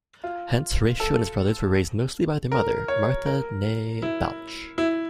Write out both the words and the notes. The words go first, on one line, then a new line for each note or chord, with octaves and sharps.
Hence, Horatio and his brothers were raised mostly by their mother, Martha nee Balch.
F4
A4
A#4
C#5
A#4
E4
E4